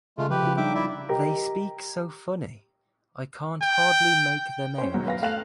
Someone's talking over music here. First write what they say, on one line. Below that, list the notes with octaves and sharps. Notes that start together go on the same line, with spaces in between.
They speak so funny, I can't hardly make them out.
C#3 G#3 A3 F4
F3 G4 B4
C#3 F4
G3 D4 D#4 E5 G5 D6
E4 D5 E5
G4 A#4 D#5 A#5
G5
C#4 C5
G#2 B2 F#3
B4 F5 A#6
A3 F5 F#6 F7